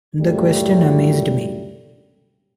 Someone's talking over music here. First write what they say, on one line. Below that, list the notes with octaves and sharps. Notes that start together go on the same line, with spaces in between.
The question amazed me.
C#2 F#2 A2 G3 A3